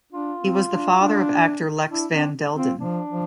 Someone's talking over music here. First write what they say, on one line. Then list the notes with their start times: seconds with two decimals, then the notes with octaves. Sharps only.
He was the father of actor Lex van Delden.
0.12 D4 F4
0.41 C4
0.71 D4
1.00 D4
1.90 D4 E4
2.12 C4 D4
2.57 C4 F4
2.80 F3 D4
3.10 F3